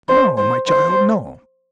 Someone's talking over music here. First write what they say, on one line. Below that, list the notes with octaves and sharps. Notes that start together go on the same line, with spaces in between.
"No, my child, no!"
C5
C5
C5